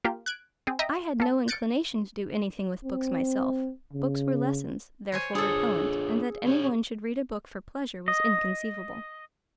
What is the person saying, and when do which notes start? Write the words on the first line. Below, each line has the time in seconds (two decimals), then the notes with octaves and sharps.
I had no inclination to do anything with books myself: books were lessons, therefore repellent, and that any one should read a book for pleasure was inconceivable.
0.04 A#3 F4 G4
0.26 F#6 G#6 D7
0.67 C4 G#4
0.79 D#5 E5 G5 A#5
1.20 A#3 A4
1.48 F#6 G6 A6 C#7 D7
2.84 C4
3.93 C#3
5.12 C5 C#5 G#5
5.35 D4 F4 G#4 A4 C#5
6.46 C#4 G4 C#5
8.08 D#5